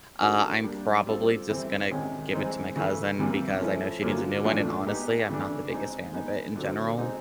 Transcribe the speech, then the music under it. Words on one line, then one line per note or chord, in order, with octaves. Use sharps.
uh, I'm probably just gonna give it to my cousin because I know she needs a new one, and honestly, I'm not the biggest fan of it in general.
A3 D4 F#4 A#4
G3 A#3 D4
G3 C4 F4 A4
E3 G3 C4 E4 A4
C3 D#3 G#3 C#4
E3 G#3 C4 D#4
C#3 E3 A3
C3 E3 G3 A#3
F3 A3 C#4 E4
D3 F#3 A#3 C#4 F4
A2 E3 A3 D4 F4
G#3 B3 D#4 G4 B4
C#3 E3 A3 D4
G#3 C4 D#4
G#3 B3 D#4
D3 F#3 A3 C4
G#3 C4 D#4